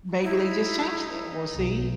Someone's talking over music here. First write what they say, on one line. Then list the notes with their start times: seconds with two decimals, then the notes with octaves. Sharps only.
maybe they just changed it, we'll see.
0.23 D#4 E4
1.53 B1